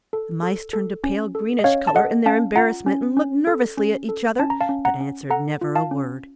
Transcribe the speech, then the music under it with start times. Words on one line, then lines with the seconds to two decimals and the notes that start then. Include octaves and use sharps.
The mice turned a pale greenish color in their embarrassment and looked nervously at each other, but answered never a word.
0.13 A4
0.43 A4
0.73 A4
1.04 C#4
1.35 A4
1.59 D#5
1.64 C#4 C#5 F5
1.87 A5
1.95 A4 D#5 F#5
2.26 C#4 F5 A5
2.56 F4 F#5 A#5
2.86 C#4
3.17 C#4
3.47 A4
3.77 C#4
4.09 A4
4.39 C#4 A5
4.50 A#5
4.61 F5 A5
4.69 C#4
4.85 F#5 A#5
5.00 C#4
5.30 A4 F#5 A#5
5.61 F4
5.76 F5 A5
5.91 C#4